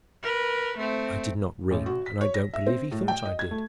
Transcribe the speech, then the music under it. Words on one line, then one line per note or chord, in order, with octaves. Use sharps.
I did not ring, and I don't believe he thought I did.
A#4 B4
A3 C4
A1
F#4
B6
C#5
A#6
E5
C4
A2
G5
D#5
G#6
A3